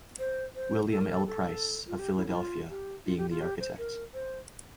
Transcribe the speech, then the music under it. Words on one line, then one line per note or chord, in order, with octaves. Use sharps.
William L. Price, of Philadelphia, being the architect.
C5
C5
A4
A#4
A4
A4
F4
G4
E4
E4
F4
G4
F4
G4
F4
G4
C5
A#4
C5